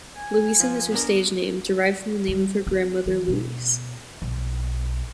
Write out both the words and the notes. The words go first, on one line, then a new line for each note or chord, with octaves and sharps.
Louisan is her stage name, derived from the name of her grandmother, Louise.
G#5
F3
B3 D4 A#4
G3
C4
E3
B2
B1